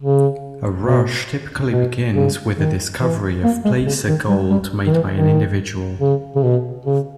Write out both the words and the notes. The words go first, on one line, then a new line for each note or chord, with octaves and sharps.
A rush typically begins with the discovery of placer gold made by an individual.
C#3
B2
B2
C#3
D#3
E3
A#3
G#3
C#3
D#3
G3
G3
D#3
E3
D#3
C#3
C#3
B2
C#3